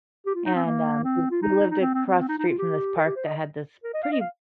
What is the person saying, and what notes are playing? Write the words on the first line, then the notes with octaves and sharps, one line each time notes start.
and, um, jus we lived across the street from this park that had this pretty
G4
F4
D#4
C4
A#3
C4
F4
D#4
D#4
C4
C4
C4
C4
D#4
D#4
F4
G4
A#4
G4
C5
D#5
A#4
D#5
F5
D#5
F5